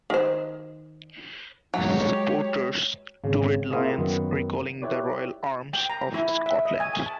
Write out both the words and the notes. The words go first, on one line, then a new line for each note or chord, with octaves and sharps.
Supporters: Two red lions, recalling the royal arms of Scotland.
D#3 C5
F#3 G#3 G4 C#5
G#1 C#3
A#3 C4 E4 F4 G#4 D#5
F#2 D#3 B3
E4 G4 B4 C#5 D5
G5
A#5
E4
E5
D#5
G#5
G#5
A5